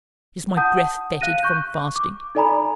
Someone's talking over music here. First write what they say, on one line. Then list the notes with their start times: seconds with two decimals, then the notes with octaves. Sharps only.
Is my breath fetid from fasting?
0.57 F#5 A5 D#6 G6
1.21 F5 F#6 A#6 D#7
1.43 C#6 F#6 G6
1.96 D6
2.35 D#4 A4 D5 G#5 A#5 B5